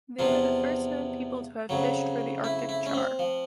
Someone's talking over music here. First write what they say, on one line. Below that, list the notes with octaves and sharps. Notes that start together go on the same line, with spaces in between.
They were the first known people to have fished for the Arctic char.
E2 C3 F3 F4
F2 C#3 F#3
E4
E4
C#4
C4
F3